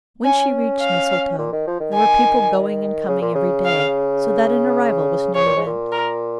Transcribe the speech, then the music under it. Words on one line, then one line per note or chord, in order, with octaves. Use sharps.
When she reached Mistletoe there were people going and coming every day, so that an arrival was no event.
C#4 G#5
F5
A#2
D#3
F3
D#3
G#5
C#3
A#2
C#3
F5
C#3 C#5
A#2
G#2
A#2
A#4